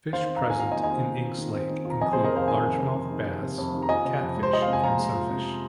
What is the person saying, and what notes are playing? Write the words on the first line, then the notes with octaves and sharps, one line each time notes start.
Fish present in Inks Lake include largemouth bass, catfish, and sunfish.
D#3 C5 F5
C4
F5 A#5
D#3
G#5
F4 F5 A#5
D#5 G#5
D#3
D#5 G#5
C4
D#3
F4
D#3
C4
D#3
F4 A#5
F2 D#5 G#5
C3 G#4 C5
A#4 D#5
F2 C5 F5
D#3 D#5 G#5
F2
C3
F2
D#3
F2
C3
F2
D#3
A#5
F4 D#5 G#5
C3
F2
G#3
C5
F4 D#5
F5
C3
G#5
F2 F5 A#5
G#3
F4
C3